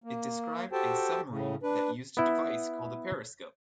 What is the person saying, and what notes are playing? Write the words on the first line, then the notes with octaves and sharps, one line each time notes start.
It described a submarine that used a device called a periscope.
A#3
F#4 G4 A4 C5 G5 A5
A2 C#3
D4 B4
B3 E4